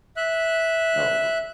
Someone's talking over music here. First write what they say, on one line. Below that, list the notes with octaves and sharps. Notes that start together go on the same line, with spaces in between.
Oh, yeah.
E5 F#6